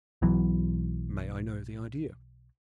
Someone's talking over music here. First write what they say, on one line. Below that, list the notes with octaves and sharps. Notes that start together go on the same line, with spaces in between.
"May I know the idea?"
B1 B2 E3 F#3